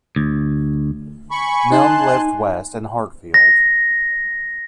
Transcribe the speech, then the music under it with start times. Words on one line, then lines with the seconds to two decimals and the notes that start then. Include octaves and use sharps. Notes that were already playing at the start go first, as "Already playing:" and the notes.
Milne lived west in Hartfield.
0.16 D2
1.31 G#5 B5 C#6
1.72 D#4 A5 C6 F#6
3.34 A#6